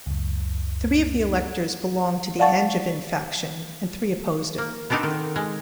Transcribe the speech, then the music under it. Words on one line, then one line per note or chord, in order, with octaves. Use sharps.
Three of the electors belonged to the Angevin faction, and three opposed it.
C#2 F#2
D5 F5 F#5 A5 C#6 A6
A#3
B3 C4 D4 D#4 A4
D#3
G#3